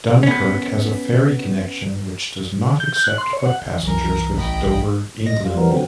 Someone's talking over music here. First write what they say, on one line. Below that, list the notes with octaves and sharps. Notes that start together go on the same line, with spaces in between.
Dunkirk has a ferry connection which does not accept foot passengers with Dover, England.
B3 C#4
G6
F#6
C6
C#5
F#5
C2 E3 A#4
A1 A3 D#5 G5 B5
D#5 A#6
G3 F4
E3 F3 G3 B3 A#4
D3 F#3 B3 C4